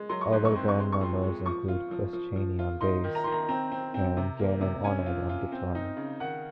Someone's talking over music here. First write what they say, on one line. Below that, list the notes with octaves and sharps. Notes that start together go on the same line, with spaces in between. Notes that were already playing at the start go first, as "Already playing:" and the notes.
Other band members include Chris Chaney on bass and Gannin Arnold on guitar.
Already playing: G#3
F#3 C6
C#6
G#2 C6
C#6
C4 C6
C#6
G#3 C6
C#6
F2 C6
G#3
F3 C#6
F4
F3
F3
F3
F4
D#4 C6
D#3
A#5
D#3 C6
A#5
C4 A#5
C4
C4
C3
A#3
C3
C#4 G#5
F4
F4
C4
D#4
C#3
D#3 F#5